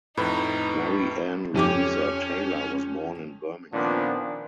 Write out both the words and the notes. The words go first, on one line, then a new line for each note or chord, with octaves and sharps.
Mary Ann Louisa Taylor was born in Birmingham.
F2 A2 D#4 B4
F2 C#4 G4 D6
A#2 D#3 F3 B3 C4 D4